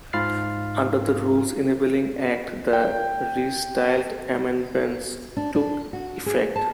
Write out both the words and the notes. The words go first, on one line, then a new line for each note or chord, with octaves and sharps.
Under the Rules Enabling Act, the restyled amendments took effect.
G#2 F4 B5 F6 A6 C7
G5
D4
D4
F#4
G#4
A5